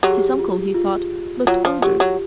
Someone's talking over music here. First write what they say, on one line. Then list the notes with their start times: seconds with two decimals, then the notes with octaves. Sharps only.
His uncle, he thought, looked older.
0.03 F#3 G4
0.10 G#4
0.18 G4
0.39 F4
0.74 F4
1.47 F#3 F4
1.65 F3
1.82 F#3 G4
2.00 F#3